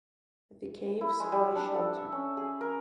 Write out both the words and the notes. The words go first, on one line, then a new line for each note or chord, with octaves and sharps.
The caves were shelter.
E4
G#3
G3
D4
A4
E5
C#4
G#4
A#4